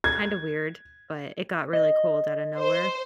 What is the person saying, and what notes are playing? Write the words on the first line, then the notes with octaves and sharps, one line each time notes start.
kinda weird, but it got really cold outta nowhere.
G#6
D#5
C5